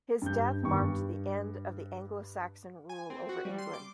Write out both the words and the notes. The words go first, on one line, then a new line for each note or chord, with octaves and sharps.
His death marked the end of Anglo-Saxon rule over England.
G2 G6
G1 G2 D#3 C#6
G2
G#5
C4
F#4
G3
C6
D6